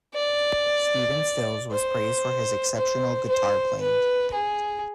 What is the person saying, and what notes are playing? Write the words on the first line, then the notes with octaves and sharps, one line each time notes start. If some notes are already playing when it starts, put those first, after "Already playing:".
Stephen Stills was praised for his exceptional guitar playing.
D5
C5
C5
C5
B4
G#4